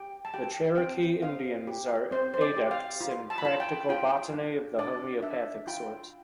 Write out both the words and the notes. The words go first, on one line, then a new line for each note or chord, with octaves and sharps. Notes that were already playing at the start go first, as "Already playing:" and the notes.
The Cherokee Indians are adepts in practical botany of the homeopathic sort.
Already playing: G4 G5
A5
G4 G5
C4 G5
C4 F5
G4
C4 C5
C5
D5
G4
F5
F4
A5
B5
F4 A5
G5
F4 G5
D4
D4 D5
D4 E5
F4 G5